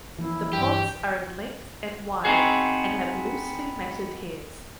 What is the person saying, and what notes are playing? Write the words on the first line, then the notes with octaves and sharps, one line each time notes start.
The pods are in length and wide and have loosely matted hairs.
E3 F3 A#3 C#4 E4
G2 F#3 G4 D5
B3 C4 D#4 F#4 G#4